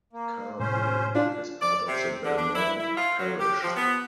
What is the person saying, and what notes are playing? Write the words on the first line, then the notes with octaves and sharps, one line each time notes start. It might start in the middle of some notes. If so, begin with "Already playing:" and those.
Carrville is part of the Belmont parish.
A#3
A2 C3 G#3 C#4 C5
D4 F4
D5
C3
D3
D4
E4
E4
F4
F#3
G4
F3
B3